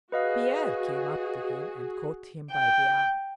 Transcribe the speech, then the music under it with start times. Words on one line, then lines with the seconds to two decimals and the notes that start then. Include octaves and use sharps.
Pierre came up to him and caught him by the arm.
0.12 F#4 G#4 B4 D#5 F5
2.52 G5